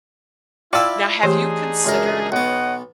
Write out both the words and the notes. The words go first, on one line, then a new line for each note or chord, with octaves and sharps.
Now, have you considered
E4 F4 D5 F5 G5 A5 E6
E3 A3 D4 D#4 G4 G#4 C5
C#2 F#2 A#4
B1 B3 C#5 D#5 F#5